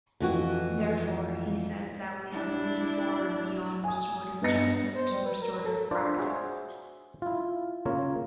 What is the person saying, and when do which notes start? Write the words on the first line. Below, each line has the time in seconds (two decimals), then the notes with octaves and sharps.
Therefore, he says that we have moved forward beyond restorative justice to restorative practice.
0.20 F2 E3 F#4
2.32 D4 E4
3.84 G#5 D#6
4.41 G2 B3 D#5 A#6 C#7
4.96 C5
5.12 G3
5.25 B4
5.42 A#4
5.65 A4
5.91 D4 F4 C5 D5
6.19 F#4 G#4 C5 C#5 E5
7.22 E4 F4
7.85 C#3 A#3 F4 C#5 A#5